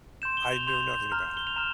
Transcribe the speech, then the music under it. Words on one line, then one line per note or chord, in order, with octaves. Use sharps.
I know nothing about it.
C6 G6 E7
G7
F7
C6 G6 F7
A#5 F6
G7
F7
A#5 F6 E7